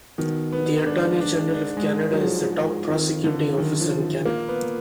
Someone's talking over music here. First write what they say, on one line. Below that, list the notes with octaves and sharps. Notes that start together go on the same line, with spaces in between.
The Attorney General of Canada is the top prosecuting officer in Canada.
B2 D#3
B3
G#2 D4
D4
D4
G#3
F#3
F3
F2 D#3
D3
F#2 D#3
F3
A#2 A#3
B3